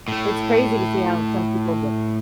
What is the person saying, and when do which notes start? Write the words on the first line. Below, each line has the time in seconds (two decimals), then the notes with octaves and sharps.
It's crazy to see how some people built
0.08 A2 A3